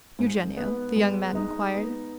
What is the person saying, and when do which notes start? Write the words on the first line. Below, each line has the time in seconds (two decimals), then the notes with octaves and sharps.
"Eugenio?" the young man inquired.
0.19 G#2
0.57 B3
0.96 G#3
1.35 D#4
1.74 B3